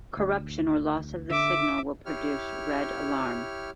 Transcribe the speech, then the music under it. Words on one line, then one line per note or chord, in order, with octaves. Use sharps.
Corruption or loss of the signal will produce "red alarm".
D2
D3 E5 D6
E4 G4 C#5 F6